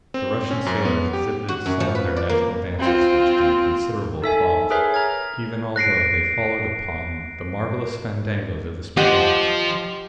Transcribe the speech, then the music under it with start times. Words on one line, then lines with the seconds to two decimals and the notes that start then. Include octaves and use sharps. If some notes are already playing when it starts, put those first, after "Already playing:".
The Russian sailors exhibited some of their national dances, which gained considerable applause, even although they followed upon the marvelous fandangos of the Spaniards.
0.14 C4
0.51 C#4
0.66 F#2
0.85 B3
1.13 G4
1.49 F#4
1.66 F#2
1.80 F3
1.95 B4
2.16 D5
2.29 A#3
2.79 C4 F4
4.22 D#4 A4 E5 G#5
4.70 G#4 A#4 B4 C#5 E5 G#5
4.94 A#5 F6 G#6
5.76 F#6 A#6 C7 D7
8.97 F4 G4 C5 D#5 F#5